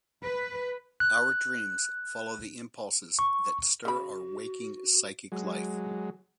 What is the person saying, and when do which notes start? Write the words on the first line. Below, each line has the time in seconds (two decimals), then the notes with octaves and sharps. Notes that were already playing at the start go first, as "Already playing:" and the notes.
Our dreams follow the impulses that stir our waking psychic life.
0.25 B4
1.00 F#6
3.19 C#6
3.85 C#3 F#4 B5
5.32 F#3 G#3